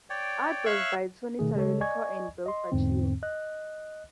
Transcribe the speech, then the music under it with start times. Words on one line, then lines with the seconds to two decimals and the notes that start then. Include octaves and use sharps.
Art was by Tony Tallarico and Bill Fracchio.
0.10 C#5 D5 G5
0.66 C#5 E5 F5 C#6 E6 F#6
1.39 B2 D#3 A3 G#4
1.55 C#3 G#3 A4 C#5
1.80 D5 D#5 G#5 C#6 G#6
2.46 D#5 C6
2.72 E2 G#2 D3 C4
3.23 D#5 F#6